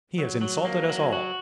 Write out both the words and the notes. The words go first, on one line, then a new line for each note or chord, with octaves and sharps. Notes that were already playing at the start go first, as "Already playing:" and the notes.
He has insulted us all.
F#3
F#3
A#3
F#3
F#4